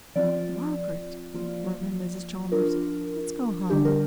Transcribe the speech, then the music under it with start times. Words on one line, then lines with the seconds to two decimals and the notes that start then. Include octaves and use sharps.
"Margaret," murmured Mrs. Chalmers, "let's go home."
0.16 F3 C4 F4 D5
1.34 F3 A#3 F4
2.52 F3 D4 F4 A#4
3.70 D3 G3 D4 G4
3.85 A#4